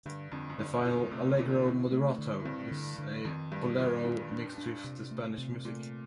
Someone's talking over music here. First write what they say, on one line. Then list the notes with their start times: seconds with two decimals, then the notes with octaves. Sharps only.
The final, "allegro moderato", is a "bolero" mixed with the Spanish music.
0.06 G2 D3
0.32 F2 D3
0.50 F2
0.58 G2 D3
0.85 A#2 D3
1.11 C3 A3
1.38 A#2 D3
1.65 A2 C4
1.92 A3
2.18 D3
2.40 A2
2.45 G2 C4
2.71 D3
2.98 D3
3.25 F2 D#3
3.52 G2 G3
3.78 A#2 D#3
4.05 A#2 D4
4.31 D4
4.58 D4
4.84 C3
5.11 A3
5.38 C3
5.64 A#2 A3